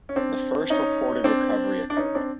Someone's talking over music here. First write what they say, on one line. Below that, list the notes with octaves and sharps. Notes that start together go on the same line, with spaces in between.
The first reported recovery occurred.
C#4
C4 D4
C#4 D#4
C4 D4
D4
C#4 D#4
C4 D4